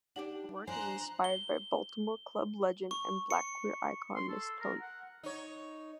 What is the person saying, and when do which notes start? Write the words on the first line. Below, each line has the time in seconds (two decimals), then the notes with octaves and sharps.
Their work is inspired by Baltimore Club legend and black queer icon Miss Tony.
0.16 D4 D#4 G4 D5 F#5 F#7
0.67 F3 D4 C5 G#5 A#5 C6 F#6
1.24 G7
2.91 C#6
3.30 C#7
4.16 C6
4.29 A4
4.61 A#4
4.81 F#5
5.23 D#4 C#5